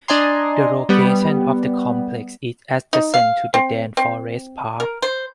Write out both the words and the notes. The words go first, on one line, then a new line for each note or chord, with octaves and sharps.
The location of the complex is adjacent to the Daan Forest Park.
D4 D5 D#5 G#5 A#5 C6
G3 B3
D#4
F5
C4
C4
A#4
C5